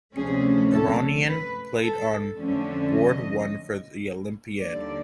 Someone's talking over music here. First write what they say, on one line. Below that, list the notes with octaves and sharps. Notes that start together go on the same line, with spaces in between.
Aronian played on board one for the Olympiad.
D2 C3 F3 A3 C#4 G#4
A4
B4
A4
F2 D3 F3 A3 C#4
D#5
D#2 D3 G3 A#3 D5